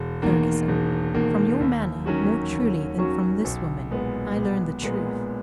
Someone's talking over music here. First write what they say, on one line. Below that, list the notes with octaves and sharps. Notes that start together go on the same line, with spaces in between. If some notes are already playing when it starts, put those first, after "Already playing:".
Ferguson, from your manner more truly than from this woman, I learn the truth.
Already playing: E1
E2 D#3 A#3
E1
E2 D#3 A#3
D#2
D#3 F#3 C#4 F#4
D#2
D#3 F#3 C#4 F#4
B1
A#2 G#3 B3
B1
A#2 G#3 B3